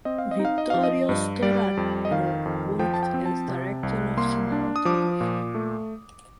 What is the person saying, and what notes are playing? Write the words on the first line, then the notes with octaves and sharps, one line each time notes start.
Vittorio Storaro worked as director of cinematography.
C4 D#5
F5
D#5
D#4
F5
D#5
F3 F5
D#5
G2
G3 D5
F2
D#5
D#3 F5
F2
F3 G5
A5
G5
C4
A5
C3
C2
A#3 C6
D4
D#6
F3 D6
A#2
A3